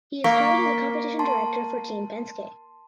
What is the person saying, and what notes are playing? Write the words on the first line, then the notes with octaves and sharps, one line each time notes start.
He is currently the competition director for Team Penske.
A#3 C#6 B6
A5 C6